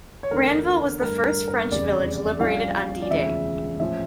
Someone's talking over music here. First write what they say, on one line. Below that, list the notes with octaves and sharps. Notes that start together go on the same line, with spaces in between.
Ranville was the first French village liberated on D-Day.
C#5
E2 D3 A3 D4 A#4
G2 D3 A3 A#4
A#4
A#4
F1 E2 C#3 G3 D5
A#1 A#2 G3 C#4 F5
D5
E1 D2 C#3 F3 E5
A#1 A2 F3 C#4 E5